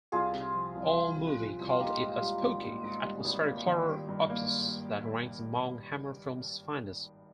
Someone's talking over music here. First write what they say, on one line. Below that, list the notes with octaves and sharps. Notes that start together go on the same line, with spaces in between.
AllMovie called it a spooky, atmospheric horror opus that ranks among Hammer Films' finest.
C2 F4 G#4
C3
F3
C2
C2
C3
F3
C2
F4
A#3 D#4 G4
G#2
G3
G#1
A#3
G#2
G3
G#1
A#3
D#3
G3
G2
A#3